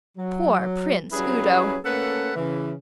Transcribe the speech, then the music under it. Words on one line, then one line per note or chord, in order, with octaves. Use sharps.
Poor Prince Udo!
F#3
F#3 G3 C#4 E4 G#4 B4
A3 A#3 C#4 A4 B4 F#5
C#3 E3